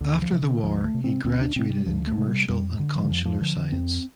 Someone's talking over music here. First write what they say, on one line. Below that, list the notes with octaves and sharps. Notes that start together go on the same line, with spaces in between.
After the war he graduated in commercial and consular science.
D2 D3
F3
C3
D3
D2 F3
A3
C3
C4
D2 C4
D4
C3 C4
G3
D2 F3
A3
C3
G3
F2 G3
D3
F3
D3
F2 F3
F3
D3 F3
D3
F2 C4